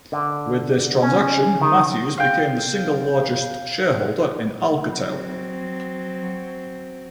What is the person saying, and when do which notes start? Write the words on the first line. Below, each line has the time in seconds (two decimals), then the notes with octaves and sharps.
With this transaction, Matthews became the single largest shareholder in Alcatel.
0.12 D3
1.02 C#4
1.61 D#3
2.18 F5 G5
4.88 F#3 C4